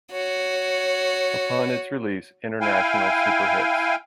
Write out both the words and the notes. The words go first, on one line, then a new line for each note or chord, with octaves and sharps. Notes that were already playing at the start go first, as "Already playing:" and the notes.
Upon its release, International Superhits!
F#4 C#5
E4 F5 G5 G#5